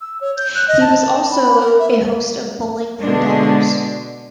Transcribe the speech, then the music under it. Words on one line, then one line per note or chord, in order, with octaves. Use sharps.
He was also a host of "Bowling for Dollars".
E6
C#5
G6
F#6
D#5
A5
B5
A#4
E5
B2 D3 G#3 D4